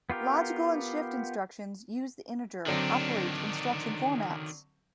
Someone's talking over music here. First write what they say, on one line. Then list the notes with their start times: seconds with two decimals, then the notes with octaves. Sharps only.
Logical and shift instructions use the integer operate instruction formats.
0.10 B3 F4 G4 A#4
2.66 D3 D#3 F#3 C4 D4